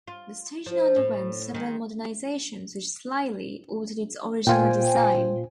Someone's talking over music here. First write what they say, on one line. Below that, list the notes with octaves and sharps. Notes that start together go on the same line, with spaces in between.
The station underwent several modernisations which slightly altered its original design.
F4
F3
A2
D#3 G#3
A#2 F4 C5 G5 G#5